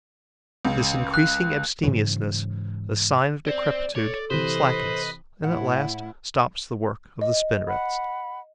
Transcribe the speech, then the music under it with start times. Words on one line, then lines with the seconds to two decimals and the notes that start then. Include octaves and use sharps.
This increasing abstemiousness, a sign of decrepitude, slackens and at last stops the work of the spinnerets.
0.65 C#2 C#3
1.14 F#6
1.83 G#2 C#3 E3 F#3
3.46 C4 D5
3.96 A4 C#5 D5
4.30 C3 E3 B4 C5 D#5 B5
5.44 A2 A3 E4 F#5
7.21 D#5
7.67 F#5 B5